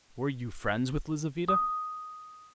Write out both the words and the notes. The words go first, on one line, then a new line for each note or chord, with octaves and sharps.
"Were you friends with Lizaveta?"
D#6